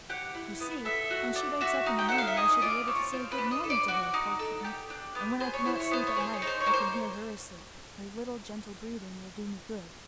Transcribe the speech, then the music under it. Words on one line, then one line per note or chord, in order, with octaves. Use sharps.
"You see, when she wakes up in the morning, I shall be able to say good morning to her, poor kitten, and when I cannot sleep at night, I can hear her asleep; her little gentle breathing will do me good."
G4 F#5
E4
B3
A4 E5
F#4
D4
F#4 E5
D#4
G5
A4 F#5
F5
E5
G#4 D#5
F4 D5
C4 C#5
F4 C5
B4
D4
D#5
A4
D5
F#4 D5
D#4
A4
G4
D4
B3
G#4 C5
C#5
E4 C5
C#5
B3 C5
C#5
G#4 C5
C#5
D#4
C5
C#5
A#3
C5